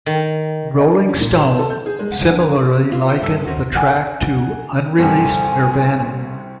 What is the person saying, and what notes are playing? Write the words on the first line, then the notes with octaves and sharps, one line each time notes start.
"Rolling Stone" similarly likened the track to "unreleased Nirvana".
D#3
D#5
D4
C#4
A#2
E7
A4
G6
G#4
G#3
F#5
D3
A#4
E3 F4
C5 F#5
D2 G2 C3 A4 E5
D#2 C4 C#4 F#4
F#5 G#5
C2 G2 D3 G#5